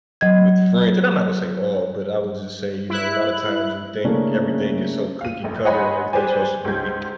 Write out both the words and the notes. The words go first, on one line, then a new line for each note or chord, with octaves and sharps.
with friends, and I'm not gonna say all, but I would just say, you know, a lotta times we think everything is so cookie-cutter and everything's supposed to be,
F#3 D#5 G#6
E4 F#6
C#3 A3 A#3 C#4 D4 E4
F5 D#7
F1 A#1
C#5 D#5 F#5 G#5 B5 C6
G4 G#4 B4 C5 D5 G#5
C#2 G#2 G3 G6 G#6